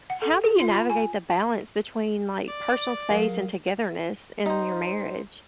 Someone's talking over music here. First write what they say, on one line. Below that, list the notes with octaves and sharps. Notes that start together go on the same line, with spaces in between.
how do you navigate the balance between, like, personal space and togetherness in your marriage?
F#5
A4
G#4
F4
B5
G#5
D5
F#3 G#4 A#4 F5
D#4 C5